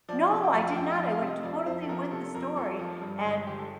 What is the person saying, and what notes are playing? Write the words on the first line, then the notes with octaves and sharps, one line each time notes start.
No, I did not, I went totally with the story and
F3 D5
C3
G5
F2 F5
F2 G5
G5
F3
F5
C3
D#5
F2 D5
F2 C5
A4
F3 A#4
C3 A4
F2 A#4
F2 A4
F3
G2
G1
G1 G4
A4